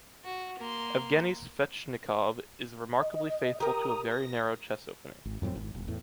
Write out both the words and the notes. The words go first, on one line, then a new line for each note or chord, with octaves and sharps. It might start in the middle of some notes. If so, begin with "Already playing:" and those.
Evgeny Svechnikov is remarkably faithful to a very narrow chess opening.
F#4
A#3 C6
D#5
G4 A#4 A#5 D#6
A#6
G#1
F2 A2 F#3 C4
G#1
D#1
E2 A2